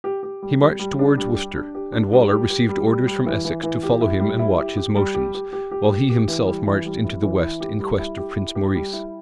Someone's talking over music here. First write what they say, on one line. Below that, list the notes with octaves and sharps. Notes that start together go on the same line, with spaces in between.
He marched towards Worcester; and Waller received orders from Essex to follow him and watch his motions, while he himself marched into the west, in quest of Prince Maurice.
G4
G4
G3
G3
G3
D4
G3
G4
D4
G4
D4
G3
G4
G4
G3
G3
G3
E3
E3
E3
G4
E4
G3
E4
G4
G4
G3
G4
G4
G4
G4
G4
G4
E3
G3
E3
G3
E4
E3
E4
G4
G3
E4
G4
E4
G4
G3
E4